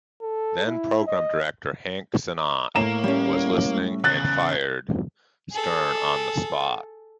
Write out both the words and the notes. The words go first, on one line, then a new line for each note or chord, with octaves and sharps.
Then-Program Director Hank Sennott was listening and fired Stern on the spot.
A4
E4
D#5
A2 A#3 A#5 E7
G3 C#4
E2 C#3 F#6 A6
G#4 A4